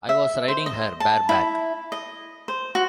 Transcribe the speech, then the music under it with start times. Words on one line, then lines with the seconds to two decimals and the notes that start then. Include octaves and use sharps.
I was riding her bareback...
0.09 E5
0.48 C5
0.66 D#5
1.00 A5
1.29 E4
1.92 D#5
2.48 C5
2.75 F#4